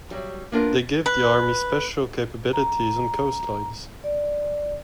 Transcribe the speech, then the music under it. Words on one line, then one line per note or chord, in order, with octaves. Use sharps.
They give the army special capabilities on coastlines.
F#3 G3
A#3 B3 D4 F4 A#4
B4
A#5
D5